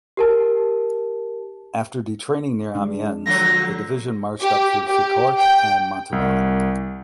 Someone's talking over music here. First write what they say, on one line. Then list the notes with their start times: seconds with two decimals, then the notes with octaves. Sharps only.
After detraining near Amiens the division marched up through Fricourt and Montauban.
0.17 G4 A#4 A5
2.75 G#3 D4
3.26 D3 F3 F#3 A#6
4.41 G4
4.88 G4
5.39 G5
6.12 C2